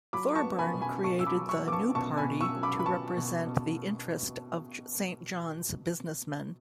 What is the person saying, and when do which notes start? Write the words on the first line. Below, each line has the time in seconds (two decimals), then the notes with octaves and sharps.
Thorburn created the "New Party" to represent the interest of Saint John's businessmen.
0.13 F#3 B5 D6
0.35 A5 C#6
0.44 B3
0.59 G#5 B5
0.74 B2
0.82 G#5 B5
1.04 B2 A5 C#6
1.19 E6
1.26 B5 D6
1.35 F#3
1.49 C#6 E6
1.65 B3 D6
1.72 A5 C#6
1.95 B2 A5 C#6
2.18 G#5 B5
2.25 B2
2.41 C#6 E6
2.55 F#3
2.63 B5 D6
2.79 B5
2.85 B3 A5 C#6
3.17 B2
3.47 B2